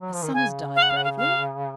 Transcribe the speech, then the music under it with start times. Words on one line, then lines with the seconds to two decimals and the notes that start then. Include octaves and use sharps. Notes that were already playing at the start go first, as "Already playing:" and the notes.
Her son has died bravely.
0.01 F#3
0.13 F3
0.23 D#3
0.34 C#3 G#5
0.76 F5
0.82 F#5
0.90 F5
0.97 F#5
1.04 F5
1.17 F5